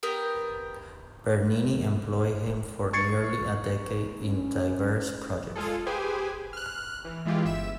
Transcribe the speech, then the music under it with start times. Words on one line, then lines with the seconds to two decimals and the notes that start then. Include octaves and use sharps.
Bernini employed him for nearly a decade in diverse projects.
0.03 B3 G4 A#4
2.93 C#6 G#6 A6 C7 C#7
4.20 C#4
5.56 G#3 F4 G#4 A4
5.87 G4 G#4 B4 C5 G#5
6.53 F6 F#6
7.05 E3
7.26 E3 G#3 E4 F4 G4
7.45 G1 E5 E7